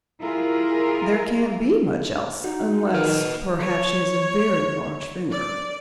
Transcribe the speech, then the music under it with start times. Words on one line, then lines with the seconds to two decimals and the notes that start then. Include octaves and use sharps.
"There can't be much else--unless perhaps she has a very large finger."
0.22 E4 F4 G4 G#4 A#4
2.44 D#4 F#4
2.95 D#3 B4 D#5 F6
3.61 C#5
5.31 D5